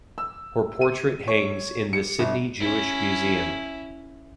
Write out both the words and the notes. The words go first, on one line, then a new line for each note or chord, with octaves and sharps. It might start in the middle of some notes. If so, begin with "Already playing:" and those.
Her portrait hangs in the Sydney Jewish Museum.
E6
D#7
C#5
C#7
G1
C#4 E4